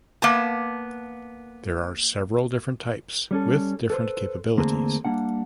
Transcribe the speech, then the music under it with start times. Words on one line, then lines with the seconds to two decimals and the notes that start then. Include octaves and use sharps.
There are several different types with different capabilities.
0.22 A#3 B3 A5
3.31 G3 C#4 A4
3.90 A4 B4 C5
4.58 E2 D3 A3 A#3 C4 G#4
5.05 G3 A#3 D4 F#5